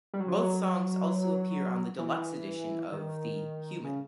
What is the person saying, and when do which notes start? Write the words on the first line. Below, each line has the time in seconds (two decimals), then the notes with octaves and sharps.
Both songs also appear on the deluxe edition of the "Human".
0.13 G3
0.20 F#3
0.28 F3
0.35 F#3
1.99 E3
2.92 D#3
3.84 C#3